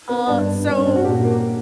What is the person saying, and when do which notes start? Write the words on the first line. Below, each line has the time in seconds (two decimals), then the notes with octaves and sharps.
Uh, so
0.09 B3
0.27 G2 D4
0.66 G2 D4
0.76 C#4
0.85 D4
0.96 F#4
1.04 A#2 G4
1.23 A#3